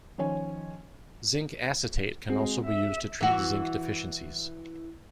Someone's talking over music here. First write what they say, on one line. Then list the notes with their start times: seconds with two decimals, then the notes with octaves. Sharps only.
Zinc acetate can also be used to treat zinc deficiencies.
0.18 D#3 F3 C#4 C#5 G#5
2.30 G#3 C4 F#4 G#4
2.65 E5
3.21 E3 F#4